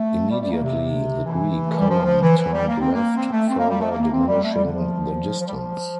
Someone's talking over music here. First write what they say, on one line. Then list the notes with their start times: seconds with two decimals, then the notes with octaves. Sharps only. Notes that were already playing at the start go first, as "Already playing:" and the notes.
Immediately the Greek column turned left, further diminishing the distance.
Already playing: A3
0.30 G3
0.41 G3
0.51 A#3
0.63 C3
1.26 E3
1.67 A3
1.78 G3
1.89 F3
2.05 F3
2.22 E3
2.37 E3
2.53 G3
2.68 A#3
2.81 C4
2.93 A#3
3.17 C4
3.32 A3
3.48 C4
3.58 A#3
3.69 G3
3.80 A3
3.90 A#3
4.01 A#3
4.12 C4
4.28 G3
4.44 A3
4.54 G3
4.65 D3
4.75 F3
5.39 F3
5.46 G3
5.53 F3